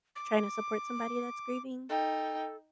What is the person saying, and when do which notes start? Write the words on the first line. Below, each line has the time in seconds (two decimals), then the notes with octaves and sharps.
trying to support somebody that's grieving?
0.16 D6
1.89 D#4 A4 G5